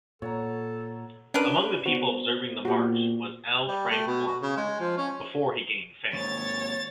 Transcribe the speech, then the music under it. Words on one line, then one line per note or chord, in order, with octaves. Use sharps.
Among the people observing the march was L. Frank Baum, before he gained fame.
A#2 A4 C#5 F#5 A#5
C#4 D4 A#4 B4
B3 F#4 C5
A#2 F#4 G4
G3
A3
B2
F#4
C#3
G#3
F3
C#4
D#2 G#2 C#5 A6